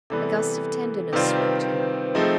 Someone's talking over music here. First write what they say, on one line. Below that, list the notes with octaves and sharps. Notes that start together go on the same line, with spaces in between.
A gust of tenderness swept him.
C3 E3 G3 B3 A4
C3 D#3 G3 C4 F4 B4
C5
B4
F3 A3 C4 D#4 G#4